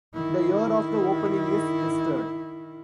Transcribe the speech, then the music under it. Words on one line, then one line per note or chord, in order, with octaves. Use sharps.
The year of the opening is listed.
D#3 E4